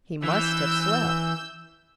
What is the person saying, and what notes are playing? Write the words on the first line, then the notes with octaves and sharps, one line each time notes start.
He must have slept.
E3 E6 G6